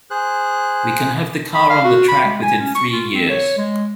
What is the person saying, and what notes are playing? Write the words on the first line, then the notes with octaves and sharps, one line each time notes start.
We can have the car on the track within three years.
G#4 C5 F#6
B5
F5
F#4
B5
G#3
G#5
C#4
C#6
F4
C4
C#5
G#3